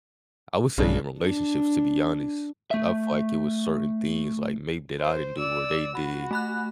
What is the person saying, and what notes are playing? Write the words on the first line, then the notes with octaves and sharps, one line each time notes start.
I would say in relationships, to be honest, 'cause I feel like it was certain things, like, maybe that I didn't do or they did
B1 G2 C#3 D4
D4
A3 E5
C5
D5 E6
F#4 B5
A3 B5 F#6